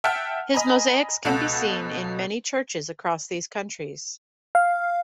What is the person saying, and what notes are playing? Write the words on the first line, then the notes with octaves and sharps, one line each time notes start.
His mosaics can be seen in many churches across these countries.
E5 F#5 G5 A5 F6
D#5 G#5 A#5 B5
C#2 B2 A4 F#5
F5